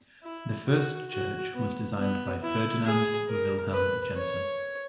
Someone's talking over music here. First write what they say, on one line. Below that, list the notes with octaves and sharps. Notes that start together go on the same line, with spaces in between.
The first church was designed by Ferdinand Vilhelm Jensen.
E4
F#4
F#4
B3
B3
E4
G#4
A#4
B4
C#5